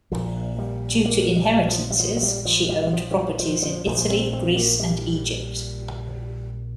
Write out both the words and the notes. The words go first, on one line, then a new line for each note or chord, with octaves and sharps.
Due to inheritances, she owned properties in Italy, Greece and Egypt.
A#1 A#2 F3
G3
A#3
G3
F3
G3
F3
F3
G3
F3
G3
G3
F3
D3
F3
F3
F3
A#1 A#2 F3
C4
C4
A#3
G3